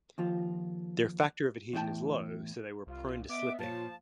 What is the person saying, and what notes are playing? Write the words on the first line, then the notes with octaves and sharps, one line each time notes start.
Their factor of adhesion is low, so they were prone to slipping.
D#2 F3 F4
E2 A2 E4 G5 A5
C2 F4
B3 D#5 E5 D6
A#2 F3 F4 C#5 A5